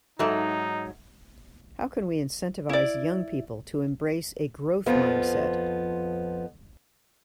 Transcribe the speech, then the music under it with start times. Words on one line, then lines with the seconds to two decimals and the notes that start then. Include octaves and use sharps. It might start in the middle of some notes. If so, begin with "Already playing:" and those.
How can we incentivise young people to embrace a growth mindset?
0.19 G#2 F#3 D#4 A4 E5
2.69 E4 D5
4.86 F2 F3 B3 F4